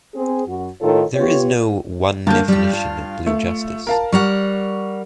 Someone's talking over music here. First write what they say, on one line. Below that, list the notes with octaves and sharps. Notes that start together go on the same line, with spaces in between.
There is no one definition of Blue Justice.
C4 G#4
F#2 F#4
A2 D#3 D#4 F4 A4 C#5
B3 F4 G4 C#5
G2 D3 A#3 A5 G6
G3 G4
F4
A3
A#4 F5 A5
G3 A#4 F#5 C#6